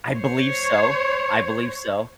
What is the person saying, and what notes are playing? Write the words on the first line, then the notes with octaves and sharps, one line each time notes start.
I believe so. I believe so.
C5 C#5